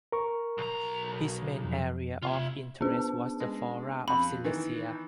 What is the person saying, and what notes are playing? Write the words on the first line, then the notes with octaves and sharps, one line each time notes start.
His main area of interest was the flora of Silesia.
A#4 C#6
B1 A#5
F2
C3 F4 E5
B3 C#4 D4 G#4
G#3
F2 B5
D#3 E3